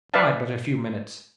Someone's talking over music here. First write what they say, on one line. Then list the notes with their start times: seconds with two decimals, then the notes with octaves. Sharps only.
Bide but a few minutes.
0.14 B4 D5 E5 F5 A5